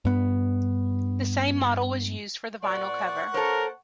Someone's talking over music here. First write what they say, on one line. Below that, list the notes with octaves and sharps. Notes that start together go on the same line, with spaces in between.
The same model was used for the vinyl cover.
G2 B3
A#2 C5 D5 F#5 C#6
A#3 A4 A#4 C5 C#5